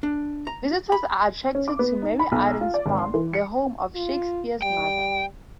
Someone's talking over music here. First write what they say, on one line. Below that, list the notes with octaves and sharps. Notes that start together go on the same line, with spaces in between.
Visitors are attracted to Mary Arden's Farm, the home of Shakespeare's mother.
D4
A#5
B5
C#4
D6
B3
D#4
B5
B1
F4
D5
G#1
C6
E3
C#7
F4
G3 G5